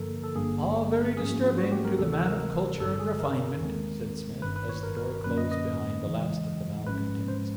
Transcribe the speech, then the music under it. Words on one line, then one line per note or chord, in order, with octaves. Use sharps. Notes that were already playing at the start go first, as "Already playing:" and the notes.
"All very disturbing to the man of culture and refinement," said Smith, as the door closed behind the last of the malcontents.
Already playing: G2 D3 F3 A#3 A4 A#4
A4
G#1 G2 D3 G3 A#3 G#4
G#2 F3 A#3 C#4 G#4
F#4
F4
F#4
G4
A#4
D2 C3 E3 A3 C4 A4
A4
A#4
A1 G2 D3 A4
G#4
A#4
D#2 D#3 G#3 C4
G1 G2 D#3 B4
B4
C#5
A#4
A#4
F#2 D3 F#3 A#3 C#4 B4
D#5
D#5
E2 C#3 E3 G#3
A1 G#2 F3 G#3 C#4 B4
C5